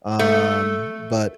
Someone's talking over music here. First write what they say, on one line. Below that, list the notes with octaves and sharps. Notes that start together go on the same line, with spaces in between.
um, but
A3